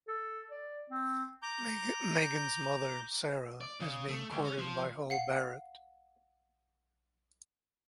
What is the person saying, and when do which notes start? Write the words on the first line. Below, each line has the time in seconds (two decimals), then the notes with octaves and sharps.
Megan's mother, Sarah, is being courted by Hull Barret.
0.08 A4
0.51 D5
0.90 C4
1.42 A#5 D6 G6
3.61 D5
3.80 C#3
4.09 A3
4.30 C#2
4.44 C#4
4.58 F3
5.10 F5 F#5 C7